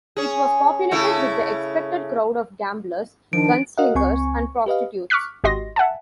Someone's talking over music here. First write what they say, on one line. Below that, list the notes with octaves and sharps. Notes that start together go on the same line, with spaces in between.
It was populated with the expected crowd of gamblers, gunslingers, and prostitutes.
C#4 G#4
C#3 A3 E4
D#3 F3 D4 D7
F#4 A#4 D#5 F5 F#5
C#2 C4 G#5 C#6
G4 B4 D#5 F5
C#6 D6 F6 F#6 B6
G#1 F#4 G4 D#5 C6 A#6
E5 F#5 G#5 A5